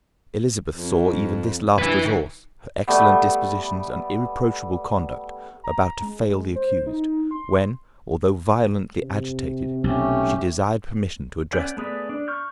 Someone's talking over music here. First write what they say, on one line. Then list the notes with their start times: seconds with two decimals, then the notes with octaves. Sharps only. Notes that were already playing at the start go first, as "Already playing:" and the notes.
Elizabeth saw even this last resource, her excellent dispositions and irreproachable conduct, about to fail the accused, when, although violently agitated, she desired permission to address the court.
0.75 F2
1.78 G2 E4 B4
2.88 G3 A3 B3
5.64 A#5
6.02 G#3
6.56 C5
6.86 D#4
7.31 C6
9.02 C3
9.84 B1 A3 C#4 G4
11.52 B3 C#4 D5 F#5 G6
11.77 A3 B3 G#4 B4 D5
12.09 D4
12.28 C#6 F6 G6